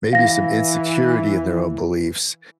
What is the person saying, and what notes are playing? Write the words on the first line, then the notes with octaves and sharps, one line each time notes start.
maybe some insecurity in their own beliefs.
E3 F5 A#6